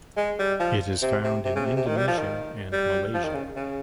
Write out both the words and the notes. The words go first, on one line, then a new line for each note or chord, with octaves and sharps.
It is found in Indonesia and Malaysia.
G#3
G3
F3
C3
C3
C3
C#3
C3
C3
D#3
G3
F3
D#3
G3
F3
D#3
C#3
C#3